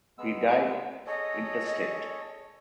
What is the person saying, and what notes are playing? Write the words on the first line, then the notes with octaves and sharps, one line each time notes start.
He died intestate.
G#3 B3 E6
G#4 A4 C#5 D#5